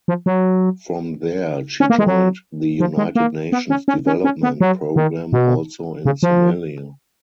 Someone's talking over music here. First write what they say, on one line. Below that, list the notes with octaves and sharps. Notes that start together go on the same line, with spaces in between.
From there she joined the United Nations Development Programme also in Somalia.
F3
F#3
C#4
A#3
G#3
F#3
F3
G#3
A#3
B3
C#4
C#4
C#4
C#4
B3
F#3
D#3
B2
C#3
F3